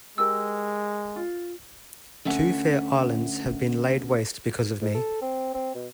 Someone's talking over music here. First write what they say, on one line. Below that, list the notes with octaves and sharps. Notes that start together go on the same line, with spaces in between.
Two fair islands have been laid waste because of me!
G#3 G4 A#4 E6
F4
D2 C#4 E5 F#5
G#2
A4
C4
C4
B2